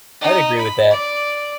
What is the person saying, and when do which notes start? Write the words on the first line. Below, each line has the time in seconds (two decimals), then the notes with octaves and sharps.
I'd agree with that.
0.21 D#4
0.58 B5
0.90 D5